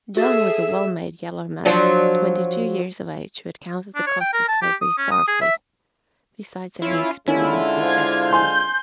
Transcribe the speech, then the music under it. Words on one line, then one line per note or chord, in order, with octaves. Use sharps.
John was a well-made yellow man, twenty-two years of age, who had counted the cost of slavery thoroughly, besides having experienced the effects of it.
F#4 G#4 A4 E5 A6
F3 F#3 D4
D4
C#5
G5
A#4
A5
G4
D#6
C#4
D#6
G#4
E5
C#4 E4 F4
D3 G#3 C#4 E4 F4
C5 F5 G#6
G#5 C6 G6